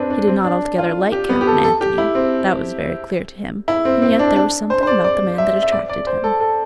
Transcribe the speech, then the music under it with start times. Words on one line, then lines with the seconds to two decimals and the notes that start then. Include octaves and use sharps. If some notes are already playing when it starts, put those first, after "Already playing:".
He did not altogether like Captain Anthony--that was very clear to him, and yet there was something about the man that attracted him.
Already playing: C4 D4 B4
0.10 D4
0.28 C4
0.44 D4
0.78 F4
1.12 G4
1.29 B3
1.41 G4
1.47 A4
1.64 A4
1.81 G4
1.98 E4
2.15 C4
3.68 E4
3.85 C4
4.02 C4
4.19 D4
4.36 D4
4.70 C5
4.83 C5
4.87 D5
5.04 D5
5.38 E5
5.63 E5
5.72 D5
5.89 D5
6.07 C5
6.24 A4
6.41 A4